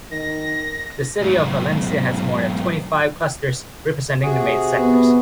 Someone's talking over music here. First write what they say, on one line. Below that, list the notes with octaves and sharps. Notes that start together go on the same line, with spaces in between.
The city of Valencia has more than twenty-five clusters representing the main sectors.
D#3 A#6
B1 G#2
C3 F#4 G#4
B3